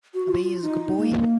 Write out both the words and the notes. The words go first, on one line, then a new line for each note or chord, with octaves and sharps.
Abhay is a good boy.
F#4
F4
D#4
A#3